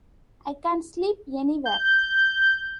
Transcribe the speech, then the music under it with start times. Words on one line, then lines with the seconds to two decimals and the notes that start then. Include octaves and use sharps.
I can sleep anywhere.
1.66 G6